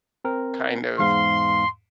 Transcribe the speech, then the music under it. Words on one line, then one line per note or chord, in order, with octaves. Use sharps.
kind of
C4 A#4
E2 G#2 F5 C6